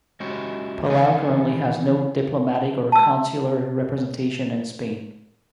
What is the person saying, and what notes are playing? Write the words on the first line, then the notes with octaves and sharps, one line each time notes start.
Palau currently has no diplomatic or consular representation in Spain.
G#3 C#4 E4 F#4 G4 C#5
D#3 E3 B3 G#4 A4
A5 E6